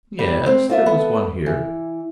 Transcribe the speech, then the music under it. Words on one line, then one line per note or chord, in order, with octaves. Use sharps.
"Yes, there was one here."
G3
C4
A#3 F4 E5
B3 A4
E3